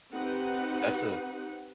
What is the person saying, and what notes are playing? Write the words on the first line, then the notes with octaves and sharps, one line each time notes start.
That's a
C4 D#4 G4 B4 F#5